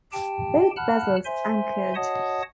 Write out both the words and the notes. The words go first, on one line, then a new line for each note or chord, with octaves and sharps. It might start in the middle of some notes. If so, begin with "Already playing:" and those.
Both vessels anchored.
G4 G5 A5
F#5 A5 B5 F6 F#6
C5 E5 G#5 C6
F#4 C#5 D#5 F#5 A5 D#6